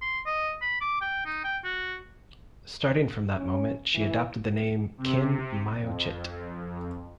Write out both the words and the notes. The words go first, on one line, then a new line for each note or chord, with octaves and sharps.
Starting from that moment, she adopted the name, Khin Myo Chit.
C6
D#5
B5
D6
G5
D#4
G5
F#4
C#4
E3
C3
F2